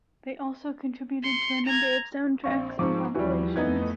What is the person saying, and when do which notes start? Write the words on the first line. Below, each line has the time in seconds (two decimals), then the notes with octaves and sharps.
They also contributed to a number of soundtracks and compilations.
1.23 C6 C#7
1.65 A#5 G#6
2.44 A#1 C4 F5 C#6
2.79 G#2 F3 C5 C#6 D6
3.15 D#2 E3 F3 G3 F#4 G4 B4
3.56 F2 E3 A3 B3 D#4 G#6